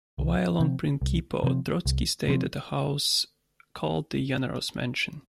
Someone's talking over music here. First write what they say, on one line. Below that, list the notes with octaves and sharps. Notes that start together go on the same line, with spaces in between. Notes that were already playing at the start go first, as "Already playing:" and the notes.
While on Prinkipo, Trotsky stayed at a house called the "Yanaros mansion".
C2
C3 F3 C4
C2
C3 F3 C4
C2
C3 F3 C4